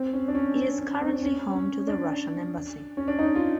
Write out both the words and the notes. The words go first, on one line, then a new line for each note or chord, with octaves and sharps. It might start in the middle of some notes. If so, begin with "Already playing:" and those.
It is currently home to the Russian Embassy.
Already playing: C4
C#4
D4
C#4
C#4
C#4
C4
D4
C#4
C#4
D4
C#4
D4
D#4
F4